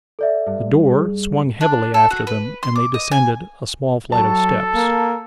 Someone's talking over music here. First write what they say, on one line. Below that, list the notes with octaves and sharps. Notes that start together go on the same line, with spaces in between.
The door swung heavily after them, and they descended a small flight of steps.
A4 D5 E5
G2
G#4
D4
A4
F#4
B4
C6
D6
D#5
G#5
F#3 A4 A5
A#3